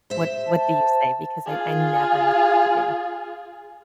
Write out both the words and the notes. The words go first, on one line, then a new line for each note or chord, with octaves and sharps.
What what do you say, because I I never know what to do.
C5 E5
A5
F4 G#4